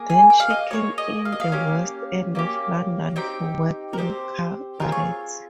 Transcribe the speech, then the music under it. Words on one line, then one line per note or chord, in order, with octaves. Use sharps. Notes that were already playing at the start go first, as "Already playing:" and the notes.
Then she came in the West End of London for work in cabaret.
Already playing: A#3 G#4
G#5
G5
F5
D#5
A#3 D#4 G#4 C#5
D#5
F5
D#5
F5
A#3 C#4 G4
A#3 C#4 G4
C4 D#4 G4 G5
A#4
C4 D#4 G4 C5
C4 F4 G#4 A#4
C#5